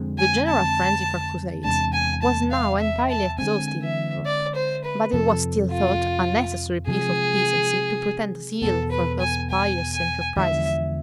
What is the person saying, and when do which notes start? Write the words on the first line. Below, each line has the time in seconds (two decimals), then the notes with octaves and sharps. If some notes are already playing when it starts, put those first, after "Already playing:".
The general frenzy for crusades was now entirely exhausted in Europe; but it was still thought a necessary piece of decency to pretend zeal for those pious enterprises.
Already playing: F2 D3 G#3 C4
0.18 G#5
0.48 A5
1.64 E2 C3 G#3 D4 A5
1.93 G#5
2.22 A5
2.51 F5
2.80 E5
3.10 A5
3.38 D3 G#3 C4 G#5
3.82 E5
4.26 D5
4.55 C5
4.84 B4
5.13 F2 C3 F3 A4
5.71 F4
6.87 C3 F3 G#3 G#4
8.62 E2 B2 B3 A4
8.91 B4
9.20 G#5
9.50 G#5
9.93 G#5
10.36 E2 D3 F3 G#3 E5